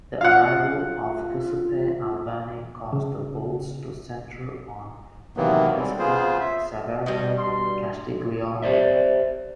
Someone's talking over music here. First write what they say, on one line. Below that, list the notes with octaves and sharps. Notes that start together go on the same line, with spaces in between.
The arrival of Giuseppe Albani caused the votes to center on Francesco Saverio Castiglioni.
F4 F5 F#5
C#3
C3 D#3 E3 F#3 A#3 B3
D3 G3 G#3 C4
C#3 B3 F4 G#4 C5
E5
G2 B2 G3 D#5
C6
G4 C5 D5 E5